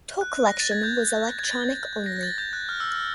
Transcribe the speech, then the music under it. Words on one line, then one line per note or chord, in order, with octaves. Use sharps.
Toll collection was electronic only.
F#6
A#6
A6
G#6
G6
G#6
A6
A#6
A6
G6
F#6
F6
E6
F6